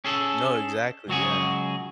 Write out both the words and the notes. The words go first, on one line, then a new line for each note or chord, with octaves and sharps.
No, exactly, yeah.
C#4 G#4 A4
C#2 F#3 F#4 G#4